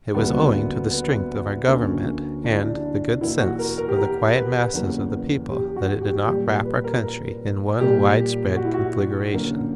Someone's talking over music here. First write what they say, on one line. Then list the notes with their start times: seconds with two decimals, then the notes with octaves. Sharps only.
It was owing to the strength of our Government and the good sense of the quiet masses of the people that it did not wrap our country in one widespread conflagration.
0.15 D2 C#3 G3 A#3 B3
0.91 B3
1.67 D2 D3 A#3 C#4
2.44 D4
2.53 E4
2.61 D4
3.21 E2 B2 A#3 E4
3.40 F#4
3.59 A#4
3.78 A#4
3.89 G4
3.97 A#4
4.35 B4
4.73 E2 C#3 F#3 A#3
5.51 G4
5.76 F#4
6.01 G4
6.27 A#2 G3 A#3 G4
6.46 A#4
6.65 B4
6.84 A#4
7.04 A#4
7.80 A#2 G3 A#3 G4
8.56 F#4
8.65 E4
8.74 F#4
9.34 F#2 D3 F#3 A#3